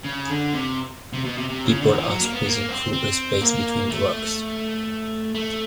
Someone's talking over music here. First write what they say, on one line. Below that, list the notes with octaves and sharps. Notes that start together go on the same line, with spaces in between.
People are squeezing through a space between rocks.
C#3
D3
C3
C3
B2
C3
C3
C#3
D3
D#3
E3
F#3
A#3
B3
A#3
C4
C4
A#3
A3
A3